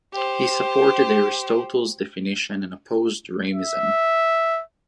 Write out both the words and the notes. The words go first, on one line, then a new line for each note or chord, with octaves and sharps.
He supported Aristotle's definitions, and opposed Ramism.
G4 C5
E5